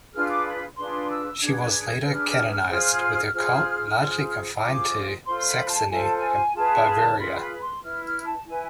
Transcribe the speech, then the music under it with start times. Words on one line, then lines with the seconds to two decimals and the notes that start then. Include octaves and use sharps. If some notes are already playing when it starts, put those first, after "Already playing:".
She was later canonized, with her cult largely confined to Saxony and Bavaria.
0.13 D4 F4 G#4 B4 F6
0.29 D6
0.46 B5
0.76 D4 F4 G#4 B4 C6
1.10 E6
1.41 D4 G#4 B4 G#6
2.05 D4 G#4 B4 F6
2.69 F4 G#4 C5 F6
3.33 F4 G#4 C5 F6
3.97 F4 G#4 C5
4.61 F4 G#4 C5 D6
5.26 F4 A4 C5 C6
5.46 B5
5.68 A5
5.89 F4 A4 C5 G#5
6.02 A5
6.16 G#5
6.54 F4 G#4 B4 A5
7.18 F4 G#4 B4 B5
7.39 B5
7.60 C6
7.81 E4 B4 F6
8.03 F6
8.25 A5
8.45 E4 B4 G#5